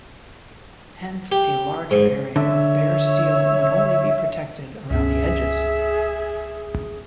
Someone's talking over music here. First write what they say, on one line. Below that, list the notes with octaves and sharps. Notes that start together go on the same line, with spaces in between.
Hence, a larger area of bare steel would only be protected around the edges.
G4
G#2
D3 C#5 E5
C#2 G2 C#4 G#4 E5